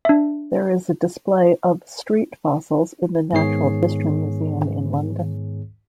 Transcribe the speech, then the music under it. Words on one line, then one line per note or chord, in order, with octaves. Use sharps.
There is a display of Street fossils in the Natural History Museum in London.
D4 E5
G#2 D#3 B3 G#4 C#5 C7